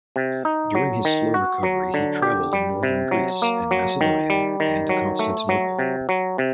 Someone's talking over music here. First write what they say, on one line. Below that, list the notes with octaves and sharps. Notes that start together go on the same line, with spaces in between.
During his slow recovery he travelled in northern Greece, and Macedonia, and to Constantinople.
C3
D#4
F#3
D#3
F#4
F#3
D3
G4
G3
C3
F#3
A#3
F#3
D#3
G3
D#3
F#3
A3
F#3
C3
F#3
C3